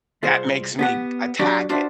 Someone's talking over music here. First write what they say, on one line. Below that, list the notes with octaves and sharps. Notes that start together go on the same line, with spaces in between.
that makes me attack it,
C2 F4 G#4 C5
B3 G4 F#5
F#3 D4 F#4 G4 D5
D4 F4 F#4 C5 D5 E5